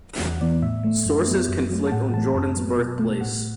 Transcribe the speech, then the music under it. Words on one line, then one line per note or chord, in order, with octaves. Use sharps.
Sources conflict on Jordan's birthplace.
E2 F#5
E3 B3 D5
A2 E5
A3
F#2
F#3 B3
F#2
F#3 A3
A5
A2 F#5
E3 A3 A5
F#2 A5
F#3 B3
B2
A3
A2 F#5